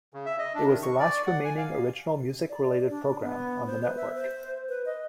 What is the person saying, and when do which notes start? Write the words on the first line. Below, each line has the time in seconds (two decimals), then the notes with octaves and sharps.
It was the last remaining original music-related program on the network.
0.14 C#3
0.26 E5
0.39 D#5
0.54 D4
0.67 D#3
0.82 C#6
0.99 D5
1.27 F#5
1.45 G#5
1.57 F5
2.49 D5
2.89 D4
3.23 B3
3.66 C5
3.82 B4
3.96 E5
4.16 C5
4.69 B4
4.86 D#5